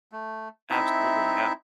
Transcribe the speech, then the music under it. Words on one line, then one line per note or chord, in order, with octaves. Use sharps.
Absolutely, yeah.
A3
C4 D#4 E4 E5